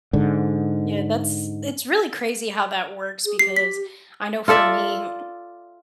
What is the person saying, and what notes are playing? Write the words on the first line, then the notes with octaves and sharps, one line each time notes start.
Yeah, that's it's really crazy how that works because I know for me
G#2 D3
G#4
G4 C7
B6
F4 A4 D5 E5